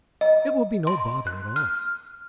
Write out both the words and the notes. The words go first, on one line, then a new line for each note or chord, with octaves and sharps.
"It will be no bother at all."
D#5
C6
F#6
F6